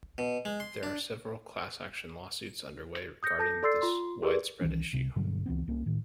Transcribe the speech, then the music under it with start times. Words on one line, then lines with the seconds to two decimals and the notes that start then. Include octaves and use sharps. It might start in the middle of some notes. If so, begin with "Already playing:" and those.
There are several class-action lawsuits underway regarding this widespread issue.
0.18 B2
0.45 G#3
0.60 C6
0.83 D4
3.23 D#6 G6 A#6 C#7
3.38 A4 A5 G6 A#6
3.63 A4 D5 C6 E6 A6 C7
3.82 F4 C6
4.22 E4 G4 G#4 A#4 B4 D5
4.61 C2 D#3 E3 C#4
4.93 C2 C3
5.16 G2 B2 D3 F#3
5.46 C#2 E3 B3 C4
5.68 C2 A#3 C#4
5.86 A2 D#3